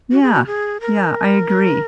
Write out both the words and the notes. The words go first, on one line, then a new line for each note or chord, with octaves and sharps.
Yeah. Yeah, I agree.
F#4
G#4
F#4
G#4
A#4